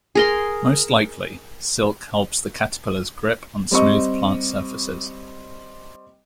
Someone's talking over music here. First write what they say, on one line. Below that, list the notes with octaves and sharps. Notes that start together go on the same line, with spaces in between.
Most likely, silk helps the caterpillars grip on smooth plant surfaces.
G#4 A#4 C6
G3 C4 D#5 C#6